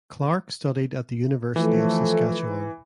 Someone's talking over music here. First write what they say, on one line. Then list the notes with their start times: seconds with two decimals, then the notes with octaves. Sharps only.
Clarke studied at the University of Saskatchewan.
1.56 E3 F3 A3